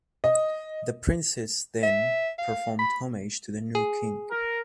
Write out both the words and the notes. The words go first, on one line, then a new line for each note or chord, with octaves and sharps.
The princes then performed homage to the new king.
D#5
E5
F5
B5
G#4
A#4